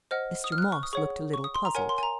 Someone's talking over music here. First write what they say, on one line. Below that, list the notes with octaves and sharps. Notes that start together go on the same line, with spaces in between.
Mr. Moss looked a little puzzled.
C5 D#5 F#5 F6
D#6
F6
F#6
F6
C#6
D#6
G#4 C#5 F#5 C#6
C#6
D#6
C6
A#5
A#4 C#5 F#5 G#5
C6
G#5
A#5